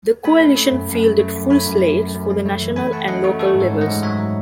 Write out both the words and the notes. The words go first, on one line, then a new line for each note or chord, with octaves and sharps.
The coalition fielded full slates for the national and local levels.
A3 G#5 B5
C#4
A3
F#2
F#2
A3
A3
F#2
A3 G#5 B5
F#2
F#2
F#2
F#2
C#4
A3
E3
A3 G#5 B5
A3 F#5 A5
C#4 D#5 F#5
A3 F#4 A4
A3 F#4 A4
G#2
A4 C#5
G#2
D#5 F#5
G#2
F#3 C#5 E5
F#3